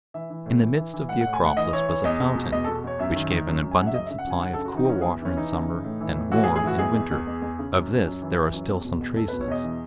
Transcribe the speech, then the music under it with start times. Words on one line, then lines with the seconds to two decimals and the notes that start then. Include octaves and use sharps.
In the midst of the Acropolis was a fountain, which gave an abundant supply of cool water in summer and warm in winter; of this there are still some traces.
0.14 E3 E5
0.30 E3
0.46 A2
0.62 E3
0.77 E3
0.94 E3
1.09 A2 F#5
1.21 F#5
1.26 A2
1.33 G#5
1.42 A2 F#5
1.57 E3 D#5
1.73 E3 C#5
1.89 E3 C#5
2.04 E2 D#5
2.20 E2
2.36 B2
2.52 E2 D#5
2.64 B2 A4
2.84 E2 C#5
2.99 F#2 E5
3.16 D#3
3.30 D#3
3.46 F#2
3.63 F#2
3.71 G#5
3.79 F#2 F#5
3.87 E5
3.94 C#3 D#5
4.06 C#3 E5
4.18 F#5
4.26 F#2 G#5
4.42 C#3 F#5
4.54 C#3 A4
4.65 F#4
4.74 E3 D#4
4.85 D#4
4.89 E3 C#4
4.95 F#4
5.01 E2 G#4
5.21 E3 C#4
5.36 E3 D#4
5.52 C#3
5.68 E3
5.84 A2
6.00 E3
6.15 A2
6.32 E3 F#4
6.43 G#4
6.47 A2
6.56 G#4
6.63 E3 F#4
6.78 E2 G#4
6.95 E2
7.11 E2
7.27 E2
7.42 E2
7.59 C#3
7.74 F#2
7.90 F#2
8.06 F#2
8.22 E3
8.38 E3
8.53 F#2
8.69 E2
8.85 B2
9.00 E2
9.16 E2 A4
9.28 B2 B4
9.41 C#5
9.48 E2 D#5
9.63 E3